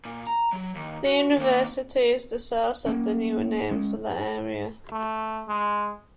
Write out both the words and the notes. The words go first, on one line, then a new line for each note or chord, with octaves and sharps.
The university is the source of the newer name for the area.
A#2
A#5
F#3
D#2
F#4
D#3 A#3
A#3 C#4
G#3 C#4
A3
G#3